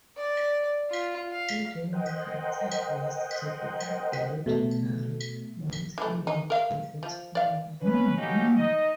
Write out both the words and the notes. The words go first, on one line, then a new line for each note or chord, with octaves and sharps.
He then migrated west to become a legendary "mountain man" and explorer.
D5
F4
F5
A#4 C5 D#5 F#5 G5
B2 A3
E3 A3
D#4
A#4 F5
F3
D5 F5
C#4 B4
F#3 A3 A#3 C#4 D#4 G4
D#4 D#5